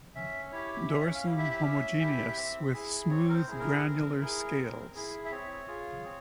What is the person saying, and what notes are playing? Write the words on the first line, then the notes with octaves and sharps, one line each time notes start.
Dorsum homogeneous with smooth granular scales.
C#4 E5
E4 G4 C#5
C#4 E5
F5
E4 G4
E5
C#4
E4 G4
C4
E4 G#4
C4 C#5
A#4
C5
E4 G#4
A#4
C4
E4 G#4
C4
E4 G#4
E5
C4 C#5
F4 G#4
C4